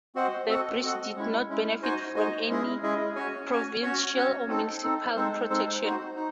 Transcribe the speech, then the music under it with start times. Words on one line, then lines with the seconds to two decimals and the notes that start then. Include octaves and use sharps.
The bridge did not benefit from any provincial or municipal protection.
0.15 C4 F#4 C5 D#5 F#5
0.49 C4 F#4 A4 D#5 F#5
0.82 C4 F#4 A4 D#5 F#5
1.16 G#3 C#4 E4
1.49 G#3 C#4 E4
1.82 D#4 F#4 C5 D#5 G#5
2.16 D#4 F#4 C5 D#5 G#5
2.49 G#3 C#4 E4 G#4 D#5
2.83 G#3 C#4 E4 G#4 D#5
3.15 C#4 F#4 C#5 G#5
3.49 C#4 F#4 C#5 G#5
3.83 C#4 F#4 C#5
4.16 C#4 F#4 C#5
4.49 C4 D#4 A4
4.83 C4 D#4 A4
5.16 G#3 C4 D#4 A4 C5
5.49 G#3 C4 D#4 A4 C5
5.83 D#4 F#4 C5
6.16 D#4